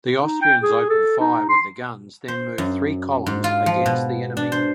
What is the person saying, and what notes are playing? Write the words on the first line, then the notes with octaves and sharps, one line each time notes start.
The Austrians opened fire with the guns, then moved three columns against the enemy.
D#4
G5
G#4
A4
D#4
C6
C5
F#2
G#2
F4
F3
B2
D4
C5